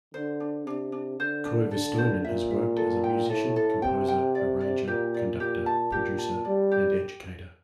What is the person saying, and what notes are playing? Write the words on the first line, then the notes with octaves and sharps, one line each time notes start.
Koivistoinen has worked as a musician, composer, arranger, conductor, producer and educator.
D3 C5
D4
C3 D4
D4
D3 C5
D4
D3 A4
C5
A#2 E5
E5
A4
G5
A2 A4
A4
C3 G5
G5
D5
D5
A#2 G4
D5
A#2 G4
A5
A#2 G4
A5
G3 D5
G4